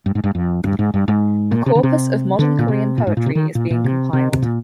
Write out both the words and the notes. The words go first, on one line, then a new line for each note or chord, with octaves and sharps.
A corpus of modern Korean poetry is being compiled.
G2
G#2
G2
F2
G2
G#2
G2
G#2
A#2
C3
D3
C3
D3
A#2
C3
A#2
G#2
A#2
C3
D#3
A#2
A#2
C3
C3
C3
A#2